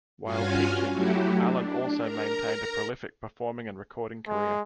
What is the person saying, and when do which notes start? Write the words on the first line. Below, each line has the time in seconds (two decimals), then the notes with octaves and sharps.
While teaching, Alan also maintained a prolific performing and recording career.
0.23 G2 C#4 F4 F#4 F5 G#5
0.91 F#3 A3 E4 F#4 G4
1.36 D4
2.00 A#4 A#5
4.28 G#3